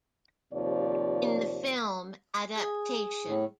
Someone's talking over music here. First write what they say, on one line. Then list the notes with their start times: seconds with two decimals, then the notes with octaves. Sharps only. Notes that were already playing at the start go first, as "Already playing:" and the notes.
In the film Adaptation.
0.53 D#2 C3 F3 C#5 D5
2.56 G#4 G#5 D#6
3.25 A2